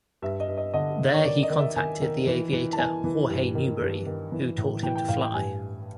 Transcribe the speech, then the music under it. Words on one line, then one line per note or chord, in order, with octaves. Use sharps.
There he contacted the aviator Jorge Newbery, who taught him to fly.
G2 E5
D#5
G2
D#5
D3 D#5
D3
C#5
D#3 D5
D#5
D#3
E5
D#3 G#5
D#3
E3
E3
A5
E3 G#5
E3
G2
D#3
G2
D#3
E3
A2
E3 G5
G5
A2 F5
G5
G2 G#5